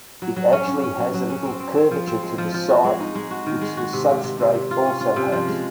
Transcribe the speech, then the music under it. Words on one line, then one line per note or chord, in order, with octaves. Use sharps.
It actually has a little curvature to the site which the substrate also has.
F#3
F#3
C#4
C#4
C#4
F#3
F#3
C#4
C4
C4
C4
F3
C4
G#3
F3
F3
F#4
G#3
D#4
G#3
F#4
D#3
G#3
F#4
C3
C3
C3
C3
C3
F4
C#4
F4
C3
F3
G#3